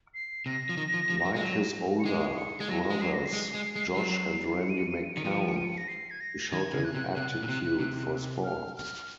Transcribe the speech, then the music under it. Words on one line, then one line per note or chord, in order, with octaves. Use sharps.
Like his older brothers Josh and Randy McCown, he showed an aptitude for sports.
C7
C3 A#6
F3
D#3
F3
F3
F#3
G#3
F#3
C#7
G#3 C7
C7
C#7
G#3 G#6
F#3 A#6
G#3
F#3 C7
A#6
C7
G#3
G#3
G#3
F#3
C#7
D#7
C#7
D#7
C#7
D#7
C#7
D#3
F3 D#7
C#7
D#7
C#7
D#7
C#7
A#6
C7
G#6
A#6
D#3 G#6
C#3
F#6
C3
C3
A#2
C3
C3
F6
F6